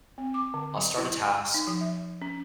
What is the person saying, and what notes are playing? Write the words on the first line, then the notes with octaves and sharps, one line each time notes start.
I'll start a task,
C4
D6
D3
F#3
E4
D#4
F3
E5
C#4